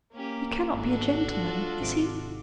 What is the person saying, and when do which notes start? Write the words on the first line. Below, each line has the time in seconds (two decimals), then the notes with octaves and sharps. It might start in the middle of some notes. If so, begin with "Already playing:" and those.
He cannot be a gentleman--is he?'
0.14 A#3 C#4 G4
0.74 G#1 D4 F#4 A4
1.31 F4
1.80 G#1 C3 D6